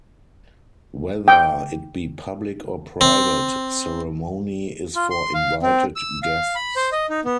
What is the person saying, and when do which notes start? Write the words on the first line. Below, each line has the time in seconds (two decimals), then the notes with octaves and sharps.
Whether it be public or private, ceremony is for invited guests.
1.28 G5
3.01 C4
4.96 F4
5.11 C6
5.34 F5
5.62 C4
5.96 E6
6.23 F5
6.55 B5
6.76 C5
6.92 D#5
7.10 D#4
7.25 B3